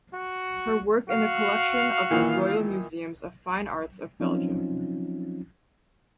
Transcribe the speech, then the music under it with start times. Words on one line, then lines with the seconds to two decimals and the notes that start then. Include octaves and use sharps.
Her work in the collection of the Royal Museums of Fine Arts of Belgium.
0.13 F#4
1.09 F#4 F5
2.10 A#2 D#3 E3
4.20 F3 F#3 C4 C#4 D#4 F4